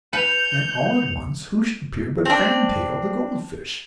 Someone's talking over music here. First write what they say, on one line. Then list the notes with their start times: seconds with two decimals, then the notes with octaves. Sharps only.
And, all at once, who should appear but Fan Tail, the gold fish.
0.13 B4 G6 C#7 F7
2.25 C4 D4